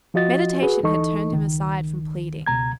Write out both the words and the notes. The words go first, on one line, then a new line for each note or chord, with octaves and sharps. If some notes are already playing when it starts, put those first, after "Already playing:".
Meditation had turned him aside from pleading.
F3 F4 F#4 D#5 A6
F#4 G#4 B4
D2 E3 D#4 A4 D#5 C#6
C#2 D#3
C#2 B2 A#5 G#6